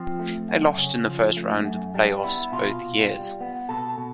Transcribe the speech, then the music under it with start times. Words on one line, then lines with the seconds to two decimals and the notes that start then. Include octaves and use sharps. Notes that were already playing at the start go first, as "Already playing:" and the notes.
They lost in the first round of the play-offs both years.
Already playing: F3 C4
0.19 A3
0.49 F#2
0.78 C#3 C#4
1.07 F3
1.37 A3
1.65 F#2
1.95 G3 D4
2.23 B3 E4
2.52 B2 F4
2.82 B2
3.10 G3
3.41 B3
3.69 B2 A4
3.98 B2